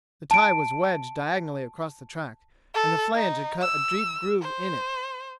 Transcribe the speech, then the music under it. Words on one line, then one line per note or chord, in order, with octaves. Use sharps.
The tie was wedged diagonally across the track, and the flange had cut a deep groove in it.
A5 D7
A4
D#4
E6
C5